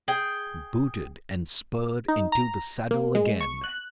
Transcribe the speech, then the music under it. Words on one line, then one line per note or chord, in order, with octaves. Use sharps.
Booted and spurred, into the saddle again!
G#4 G5
D#4
A#5
A#3
G#3
C#6
F#6